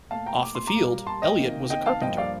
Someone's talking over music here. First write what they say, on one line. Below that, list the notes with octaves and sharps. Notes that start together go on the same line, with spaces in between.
Off the field, Elliott was a carpenter.
A#2 A3 F5 A5
G5 A#5
D6
C6
A#5 D6
A#2 G3 A#3
A5 C6
D#5 G5
C3 D#3 A#3
D#5 G5
F5 A5
G2 F3 A#3 D#5 G5
D5 F5